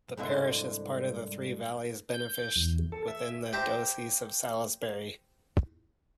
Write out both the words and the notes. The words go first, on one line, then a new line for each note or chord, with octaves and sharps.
The parish is part of the Three Valleys benefice within the Diocese of Salisbury.
C2 G#2 D3 E5
G6
E2
A4
E5
G4 C5 E5 A5 A#5